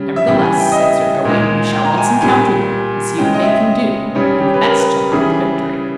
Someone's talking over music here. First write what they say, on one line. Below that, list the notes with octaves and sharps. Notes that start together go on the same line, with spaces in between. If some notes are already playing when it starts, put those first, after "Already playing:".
Nevertheless, said Sir Gawaine, we shall once encounter them, and see what they can do, and the best shall have the victory.
Already playing: C#3 G3
E5
C#3 E3 G3 G5
G#5
G5
D#5
E5
A#2 G#3
G5
A#5
G#5
G5
A#2 G3 G#5
C#3 G#3 G5
D#5
E5
C#3 G3 C#5
G4
B4
A#4
B4
C#3 E3 G3 G#4